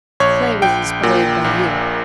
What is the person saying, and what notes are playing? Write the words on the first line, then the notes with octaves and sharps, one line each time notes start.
The play was inspired by you.
A#1 C#5
A#1 G5
A#2
A#1